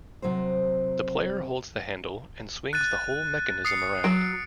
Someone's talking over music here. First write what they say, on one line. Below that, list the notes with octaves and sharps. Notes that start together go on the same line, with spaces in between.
The player holds the handle and swings the whole mechanism around.
C3 F#3 A#4 C5
F#6 A6 D#7
D#6 C7 C#7
F#3 D7